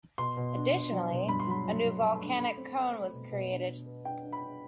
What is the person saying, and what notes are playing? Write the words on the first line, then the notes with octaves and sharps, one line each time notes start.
Additionally a new volcanic cone was created.
B2 C6
B2
D4
B2
F#3
B2
G2 B5
C6
F#3 B5
F#3
F#3
A3
D4
A3 B5
C4
C4
A3
B2
B2
D4
D4
B3
D4 G5
D4
B5
D4